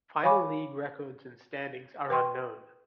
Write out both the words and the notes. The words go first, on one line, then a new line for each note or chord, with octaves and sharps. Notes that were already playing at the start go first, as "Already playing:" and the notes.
Final league records and standings are unknown.
C#5 F5 G#5 B5 C#6 D6
B4 G5 C6 C#6